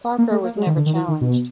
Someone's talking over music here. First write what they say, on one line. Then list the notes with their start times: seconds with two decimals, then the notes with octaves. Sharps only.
Parker was never challenged.
0.18 A#3
0.31 A3
0.44 A#3
0.57 G#3
0.67 D#3
0.76 D3
0.86 D#3
0.95 E3
1.08 D#3
1.21 B2